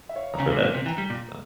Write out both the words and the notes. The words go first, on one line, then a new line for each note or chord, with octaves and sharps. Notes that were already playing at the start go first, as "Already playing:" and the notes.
I've heard that a few times as well.
E5
C#5 F5
A#5
C#3 F5 G#5
C3
A#2
C3
E3 G5 A#5
G3
A#2